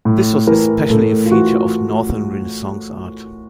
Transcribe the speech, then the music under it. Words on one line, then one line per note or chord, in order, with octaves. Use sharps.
This was especially a feature of Northern Renaissance art.
A2
E3 A#4
A2 A4
F4
E3 F#4